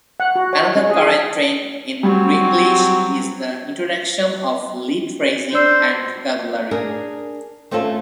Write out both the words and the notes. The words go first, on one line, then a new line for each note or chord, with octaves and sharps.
Another current trend in Greeklish is the introduction of Leet phrasing and vocabulary.
F#5
F#4
C#5
C#4
G#4
A5
F#3 G3 C4
D4 C5 D5 E6
D4 G#4 A#4
A3 C4 C#4 F4 A4